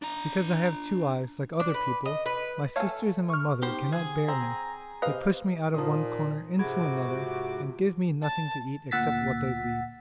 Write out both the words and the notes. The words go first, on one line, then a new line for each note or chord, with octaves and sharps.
Because I have two eyes like other people, my sisters and my mother cannot bear me; they push me out of one corner into another, and give me nothing to eat except what they leave.
D4 A#5
D4
B4
D#5
B4
A3 A4 C#5 F5 G#5
C#6 F6
B3 D#4 G4 C5
D3 G#4 G#5
C4 A#5
C3 G4 B4 C5 D#5 F5
A#2 F3 D#4 A#4 D#6
G#2 C3 F#4 G#4 B5 D6 G#6
A5
D2 A#2 F#5 E6 A6 B6